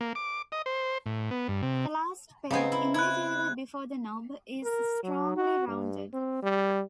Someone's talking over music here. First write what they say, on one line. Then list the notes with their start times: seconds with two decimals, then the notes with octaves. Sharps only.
The last pair, immediately before the knob, is strongly rounded.
0.01 A#3
0.15 D6
0.52 D#5
0.66 C5
1.06 A2
1.31 B3
1.48 G2
1.63 C3
2.51 C#3 B3 C4 D#4 G#5
2.72 E4
2.94 E4 F#6 G#6
4.63 A#4
5.04 F#3
5.37 F#4
5.68 G2
6.13 C4
6.43 G3